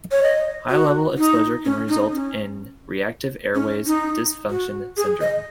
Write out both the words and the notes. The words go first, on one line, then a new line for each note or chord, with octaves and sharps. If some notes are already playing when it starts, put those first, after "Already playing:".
High-level exposure can result in reactive airways dysfunction syndrome.
C#5
D#5
F#4
D#4
C#4
D#4
C#4
C#4
D#4
F#4
G#4
D#5